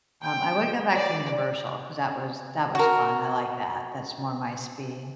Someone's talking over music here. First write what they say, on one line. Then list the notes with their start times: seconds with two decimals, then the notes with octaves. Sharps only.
Um, I would go back to Universal 'cause that was that was fun, I liked that, that's more my speed.
0.23 G5
0.94 D5
2.75 F#4 A#4